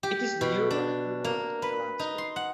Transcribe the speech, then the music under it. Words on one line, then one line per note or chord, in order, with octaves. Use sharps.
It is the urban equivalent of a landscape.
G4
B2
D4
A#3
B4
D#4
C6
F#5